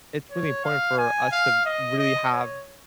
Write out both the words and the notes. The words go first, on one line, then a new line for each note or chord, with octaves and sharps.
it's really important for us to really have
C#5
F5
G#5
F5
D#5
D#5
C#5